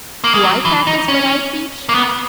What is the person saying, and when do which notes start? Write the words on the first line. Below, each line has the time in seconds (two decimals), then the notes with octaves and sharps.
Do I practise what I preach?
0.24 A#3
0.34 G#3
0.43 F#3
0.65 E3
0.87 D#4
1.08 C#4
1.89 A#3
1.95 B3